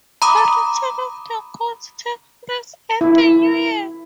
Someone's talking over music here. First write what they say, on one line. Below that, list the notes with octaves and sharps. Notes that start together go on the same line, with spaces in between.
The return of the ghosts takes place at the New Year.
A#5 B5 D6 D#6
E4